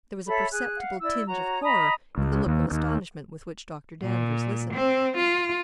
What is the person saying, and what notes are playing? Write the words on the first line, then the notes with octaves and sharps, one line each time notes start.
There was a perceptible tinge of horror in the look of astonishment with which Dr. Danvers listened.
A4 C#5 E5 B5
G#4 F#6
F5 F#5
E4 D5 E6
F#4 C#5 A#5
D#5 A#5 B5 D#6
C#2
D#2
D#2
A#2
C4
F4